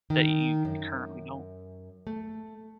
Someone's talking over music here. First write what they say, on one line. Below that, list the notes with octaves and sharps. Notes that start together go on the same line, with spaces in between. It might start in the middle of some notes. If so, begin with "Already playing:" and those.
that you currently don't.
D#3
F#2
A3